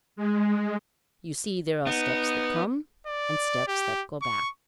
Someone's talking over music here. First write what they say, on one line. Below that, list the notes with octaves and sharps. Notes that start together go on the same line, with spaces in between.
"You see, there are steps that come, and steps that go back."
G#3
B3 D#4
D5
G4
C#6